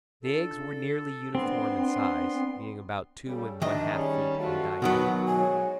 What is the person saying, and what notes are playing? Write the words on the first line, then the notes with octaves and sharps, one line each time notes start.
The eggs were nearly uniform in size being about two and one-half feet in diameter.
D4 F4 A4
B3 C4 D4 C6
C#3 G3 A4
D#3 D4 D#5 E5
G3 C#4 G#4
F3 G3 A3 F#4
B2 D#3 F#3 B3
G#2 F#4 C#5 G#5